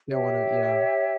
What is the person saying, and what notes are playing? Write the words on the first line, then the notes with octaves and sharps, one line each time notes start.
they wanna yeah.
G4 C#5 E5 G5